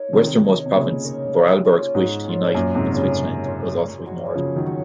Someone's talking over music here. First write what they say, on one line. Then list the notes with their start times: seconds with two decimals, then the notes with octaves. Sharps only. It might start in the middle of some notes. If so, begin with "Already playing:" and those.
The westernmost province Vorarlberg's wish to unite with Switzerland was also ignored.
Already playing: D#4 A#4 C#5
0.13 C3 D#3 G#3
0.43 D#4 A#4 C#5
0.66 C3
0.74 A#2 C#3 G#3
1.04 D#4 A#4 C#5
1.34 A#3
1.64 C#4 F4
1.95 G#2 A#3
2.24 C#4 F4
2.55 F#2 A#2 A#3
2.75 G#2 C3
2.85 C#4 F4
2.95 A#2 C#3
3.15 A#3
3.45 C#4 F4
3.75 A#3
4.06 D#4 F#4 C#5
4.35 C#3 F3 A#3
4.56 D#3 F#3
4.66 D#4 F#4 C#5